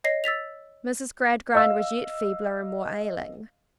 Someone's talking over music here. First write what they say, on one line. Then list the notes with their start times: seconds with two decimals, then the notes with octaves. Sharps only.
Mrs. Gradgrind was yet feebler and more ailing.
0.04 C#5 D#5 A#6 C7
0.24 E6 A6 B6 F7
1.55 D#5 F5 E6